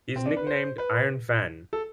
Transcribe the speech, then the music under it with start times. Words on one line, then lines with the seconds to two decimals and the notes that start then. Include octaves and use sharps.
He is nicknamed "Iron Fan".
0.16 C4
0.26 D4
0.37 B4
0.47 C5
0.78 B4
1.73 A4